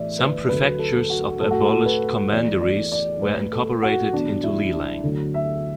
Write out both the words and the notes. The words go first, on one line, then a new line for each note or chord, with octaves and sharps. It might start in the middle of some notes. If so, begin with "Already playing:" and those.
Some prefectures of the abolished commanderies were incorporated into Lelang.
Already playing: A2 E3 A3 D5 E5
B4
D2 D3 F#3 A3 B4
A4
F#4
A2 A3 A4
F#4
A4
B4
E2 E3 A3 D5
D5
D5
A2 A3 B4
A4
F#4
E2 B2 F#3 A3 D4
E4
D4
D2 D3 F#3 A3
E5